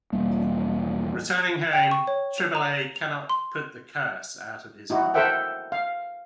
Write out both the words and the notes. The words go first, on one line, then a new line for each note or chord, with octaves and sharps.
Returning home, Triboulet cannot put the curse out of his mind.
E1 G3 A#3
G5
C#6
C#5
F7
A#5
F7
C6
D#4 E4 F#4
A4 A#4 C5 E5 F#5 G5
F5